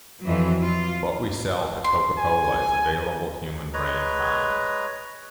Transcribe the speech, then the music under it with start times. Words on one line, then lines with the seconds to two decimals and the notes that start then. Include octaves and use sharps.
What we sell to Coca-Cola is available human brain time.
0.23 F2 E3 F#3
0.61 F4
1.84 C6
2.18 G#5
3.73 G#3 B4 C#5 A#5